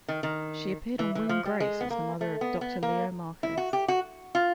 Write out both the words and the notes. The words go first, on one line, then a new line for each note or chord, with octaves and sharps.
She appeared on "Will and Grace" as the mother of Doctor Leo Markus.
D#3
D#3
E3
E3
F3
G3
G#3
B3
A#3
A3
B3
B3
A#3
E4
F#4
G4
F#4
F4